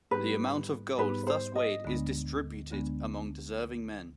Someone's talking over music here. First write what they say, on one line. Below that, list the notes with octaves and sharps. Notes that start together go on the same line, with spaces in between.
The amount of gold thus weighed is distributed among deserving men.
G#2 G3 B3 D#4 G4 B4
G#2 G3 B3 D#4 G4 B4
C5
D#5
D2 D3 G#3 B3 D4
D2 D3 G#3 B3 D4